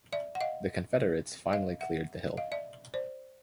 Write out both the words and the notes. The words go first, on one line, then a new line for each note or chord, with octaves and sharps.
The Confederates finally cleared the hill.
D5 E5
F#5
D#5 F5
D#5 F5
E5 F#5
D#5 F5
D5 E5
C5 D5